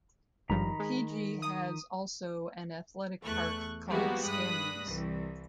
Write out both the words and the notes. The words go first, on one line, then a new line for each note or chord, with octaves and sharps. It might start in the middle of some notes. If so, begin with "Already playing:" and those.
Pigi has also an athletic park called "Skamnies".
G#1 G2 D#3 F3 A#5 B5
G#3
D#6
E2 A3 C#6 F#6
F3 G3 G#3 A#3 B3 F#4
G2 B5 D#6 F#6
C2 E3